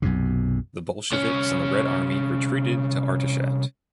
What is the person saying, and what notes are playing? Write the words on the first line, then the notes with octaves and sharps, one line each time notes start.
The Bolsheviks and the Red Army retreated to Artashat.
B1 F#2 C3
C2 C#4